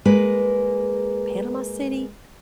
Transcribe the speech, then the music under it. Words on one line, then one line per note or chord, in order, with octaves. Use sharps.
Panama City,
G#3 A#3 G#4 B4